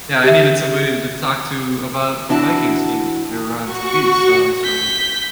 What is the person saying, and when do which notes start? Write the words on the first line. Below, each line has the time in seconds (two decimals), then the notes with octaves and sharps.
Yeah, I needed somebody to to talk to about the Vikings' games when they were on TV, so I started
0.24 G4 E5
2.29 E3 D4 E4 F#4 A5
3.60 F#4 C#6
4.64 G6 B6